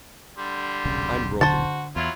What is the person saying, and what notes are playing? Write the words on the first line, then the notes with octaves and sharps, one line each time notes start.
I'm broken.
D3 G3 C6
D#1 B1 C#3
D3 F#4 C5 A5
E2 F#3 E4 F4